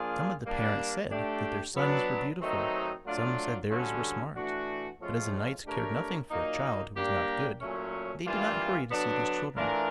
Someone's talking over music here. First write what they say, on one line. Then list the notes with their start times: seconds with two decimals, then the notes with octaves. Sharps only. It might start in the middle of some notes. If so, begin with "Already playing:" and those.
Some of the parents said that their sons were beautiful; some said theirs were smart; but as the knights cared nothing for a child who was not good, they did not hurry to see these children.
Already playing: F3 A#3 D4 F4 G#4
0.46 G3 A#3 D4
1.10 A3 D4 G4
1.75 F#3 B3 D4
2.41 D#3 F#3 A3 C4 D#4
3.05 F#3 A3 D4 F4
3.70 G2 D3 F#3 A3 C#4
4.36 E3 A3 D4 F#4
5.01 A2 F3 G#3 C#4 F4
5.65 A3 D4 G4 A#4 C#5
6.30 A#2 F#3 A#3 D#4
6.96 G3 A#3 D4 G4 A#4
7.61 A#2 F#3 A3 C#4
8.26 E3 G3 A#3 D4 F4
8.91 D3 F#3 B3 D4
9.56 E3 A3 D4 F4 A#4